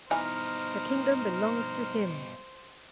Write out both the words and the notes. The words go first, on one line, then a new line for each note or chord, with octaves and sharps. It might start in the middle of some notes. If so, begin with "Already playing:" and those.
"The kingdom belongs to him."
G2 B2 E3 D#4 C5 G#5 A#5 F6